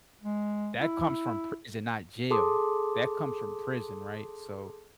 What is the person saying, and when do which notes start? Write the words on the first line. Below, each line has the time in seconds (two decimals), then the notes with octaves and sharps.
That comes from prison, not jail that comes from prison, right? So,
0.21 G#3
0.80 E4
2.30 G#4 A4 A5 C6 D6 D#6